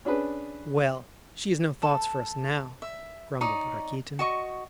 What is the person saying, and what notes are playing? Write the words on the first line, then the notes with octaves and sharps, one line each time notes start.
"Well, she has no thoughts for us now!" grumbled Rakitin.
C#4 D4 G#4 B4
A4
E5
D#4 C#5 D5 D#6
F#4 D#5 C#6